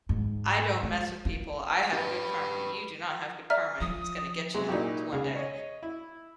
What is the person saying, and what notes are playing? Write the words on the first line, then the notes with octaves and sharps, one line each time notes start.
"I don't mess with people. I have good karma. You do not have good karma, and it's gonna get you one day."
G#2
G#3
E4
G4 B4
D5 E5 A#5 F6
F3 D#6
C3 F#3 G#3
A#2 D#4 E4 F#4 G4
C#2 G#4
C#5 D#5
E4